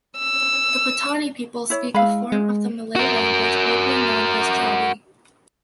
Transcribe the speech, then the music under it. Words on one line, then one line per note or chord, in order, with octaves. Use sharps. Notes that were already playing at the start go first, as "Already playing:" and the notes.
The Patani people speak a form of the Malay language locally known as Jawi.
E6
E4 C#5
G#3 E4 F5 B5
G#3
F#4 A#4